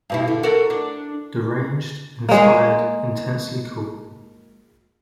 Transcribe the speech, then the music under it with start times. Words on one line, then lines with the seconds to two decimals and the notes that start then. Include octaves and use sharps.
Deranged, inspired, intensely cool.
0.10 G2 B2 E4
0.28 D3
0.43 F#4 A4 A#4
0.70 D4
2.29 G#3 A#3